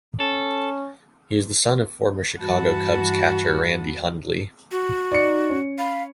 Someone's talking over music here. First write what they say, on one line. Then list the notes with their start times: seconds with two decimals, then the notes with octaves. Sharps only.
He is the son of former Chicago Cubs catcher Randy Hundley.
0.20 C#4 A4
2.39 G2 E3 F#4 F#5 A5 B5
4.72 F#4
5.12 D#4 D5 C#7
5.50 C#4
5.78 F5 B5